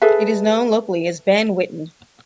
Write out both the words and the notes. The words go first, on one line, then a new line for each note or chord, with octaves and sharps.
It is known locally as "Ben Whitton".
G#4 A4 B4 E5